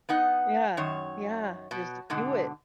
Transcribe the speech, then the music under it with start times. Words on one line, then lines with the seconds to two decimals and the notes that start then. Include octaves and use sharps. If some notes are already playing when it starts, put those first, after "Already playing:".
Yeah. Yeah, just do it.
0.09 B3 D#4 F#5
0.77 F#2 D#3 C#5
1.71 B2
2.10 G#2 B2 D3